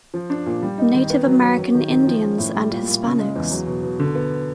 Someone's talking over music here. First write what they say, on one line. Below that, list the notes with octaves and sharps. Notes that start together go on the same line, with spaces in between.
Native American Indians and Hispanics.
F3
D4
A#2
G3
D#4
D#3
B3
F#3
F#3
F#3
D#3
D#3
F3
C#4
A2
G3
A#2
A#2
C#3
G#3
E2
F#3
B2
B2
D3
B3